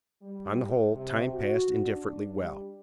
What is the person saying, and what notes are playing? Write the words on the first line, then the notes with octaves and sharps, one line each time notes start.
On the whole, time passed indifferently well.
G3
C3
F#4
D4
G3